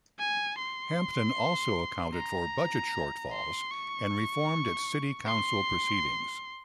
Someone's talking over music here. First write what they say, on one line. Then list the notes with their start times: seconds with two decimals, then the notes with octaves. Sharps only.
Hampton also accounted for budget shortfalls, and reformed its city council proceedings.
0.19 G#5
0.58 C6
2.15 A#5
3.32 C6
3.71 C#6
5.27 C6